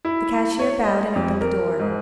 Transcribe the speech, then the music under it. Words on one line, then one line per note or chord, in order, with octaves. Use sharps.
The cashier bowed and opened the door.
E4
C#5
D#5
F2
A#4
G#2